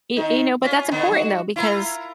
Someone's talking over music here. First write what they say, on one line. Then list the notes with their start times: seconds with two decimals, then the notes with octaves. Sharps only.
e e know, but that's important though, because,
0.17 D#3 D#4
0.63 C#4 F4
0.91 D3 D#3 B3
1.11 G3 F#4
1.56 E4 F4 A#4